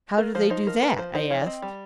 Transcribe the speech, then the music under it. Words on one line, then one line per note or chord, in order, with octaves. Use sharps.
"How do they do that?" I asked.
A#3 A#4
F3 C5
D#4 C5
F3 A#4
A#3 B4
F3 C5
D#4 C5
F3 C#5
D5
C4 D#5
G3